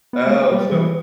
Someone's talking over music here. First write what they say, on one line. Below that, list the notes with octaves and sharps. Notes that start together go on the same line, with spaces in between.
Oh, so
B3
G#3
A#3
G3
E3